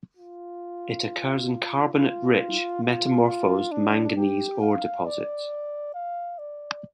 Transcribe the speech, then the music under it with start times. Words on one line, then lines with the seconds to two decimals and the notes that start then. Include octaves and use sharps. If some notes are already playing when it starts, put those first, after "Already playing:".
It occurs in carbonate-rich metamorphosed manganese ore deposits.
0.17 F4
1.95 F4
2.83 F4
3.72 D4
4.16 G4
4.61 F5
5.06 D5
5.94 F5
6.38 D5